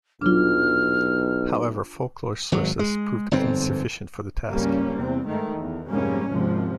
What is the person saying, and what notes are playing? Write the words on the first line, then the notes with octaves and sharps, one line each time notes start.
However folklore sources proved insufficient for the task.
D#1 B1 F#3 D4 F4 F6
G#1 F#3
G#3
G1 F2 G#2 C4
C#2 G2 G3 A#3 C#4
E2 C3 C4
G#2 D#3 A3
E2
F1 G#2 G3 G#3 A#3 C#4
G#1 D#2 G#2 C3 F3